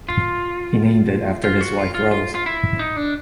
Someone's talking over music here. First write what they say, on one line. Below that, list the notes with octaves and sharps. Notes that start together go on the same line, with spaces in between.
He named it after his wife Rose.
F4
F4
F#4
F4
F4
F4
F4
E4
D#4
D4